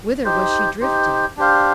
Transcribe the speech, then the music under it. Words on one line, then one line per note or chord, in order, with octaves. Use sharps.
Whither was she drifting?
D#4 G4 C5
D#4 G4 C5
D4 G4 C5 F5